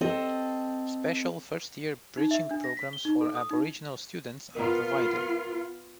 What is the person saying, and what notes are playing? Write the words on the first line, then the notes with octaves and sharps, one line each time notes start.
Special first-year bridging programs for Aboriginal students are provided.
C4 A4 D#5
D#4
E5
D4
A#6
B6
G7
D#4
A4
D#6
D#4
B3 F4 A#4 A#5